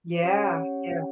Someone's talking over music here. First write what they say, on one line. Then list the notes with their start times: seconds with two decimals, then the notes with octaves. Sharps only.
Yeah. Yeah.
0.22 C#4 G4 C#5 F#5